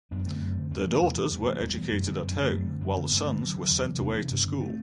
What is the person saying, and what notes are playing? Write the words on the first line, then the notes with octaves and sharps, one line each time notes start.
The daughters were educated at home while the sons were sent away to school.
F#2 B3 D4
D3 A3 C4
F#2
D3
E2 A3 C4
B2
E2
B2
E2 G3 B3
B2 A3 C4
E2 G3 B3
B2
F#2 F#3 A3
D3 G3 B3
F#2 C4
D3 D4
A3 C4
F#2
D3
F#2 D4
D3 C4
B3
G2
A3 C4
D3
G2 D3 F#3
D3
E2
C3
E2 B3 D4
C3
G2
D3
A3 C4